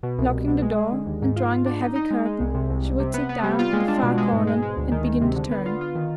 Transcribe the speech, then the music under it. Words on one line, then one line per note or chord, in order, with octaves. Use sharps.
Locking the door and drawing the heavy curtain, she would sit down in the far corner and begin to turn.
B2
C2
C2
B2
G#3
G#3
D3
D#2
G#2
F4
F4
D4
D#4
D#4
G#3
G#3
C2
C3
C2
C2
C3
B3
B3
G3
F4
G#3
D4
B2
G#3
G#2
G#3
G#3
D2
D#3
D#3
C3
D3
B3
F4
F4
D#3